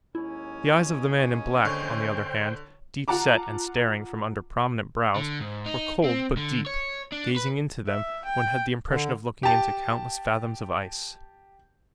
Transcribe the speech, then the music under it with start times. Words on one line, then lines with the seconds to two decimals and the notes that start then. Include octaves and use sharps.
The eyes of the man in black, on the other hand, deep-set and staring from under prominent brows, were cold but deep; gazing into them, one had the impression of looking into countless fathoms of ice.
0.15 D#2 G#3 C#4 E4
1.65 D3 C5 C#5 G5 C#6
3.08 F4 F#5 A5 A#5 D6
5.16 D3
5.41 G#2
5.66 D#4
6.04 C4
6.37 D3
6.66 C#5
7.12 D4
7.36 B4
7.87 E5
8.25 G5
8.89 D3
9.43 G4 A5